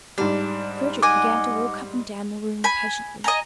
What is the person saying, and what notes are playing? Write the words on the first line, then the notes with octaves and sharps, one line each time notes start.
Frederick began to walk up and down the room impatiently.
G#2 G3 D4
D#5 F#5 G#5 D6
G#5 B5
D#5 G#5 A#5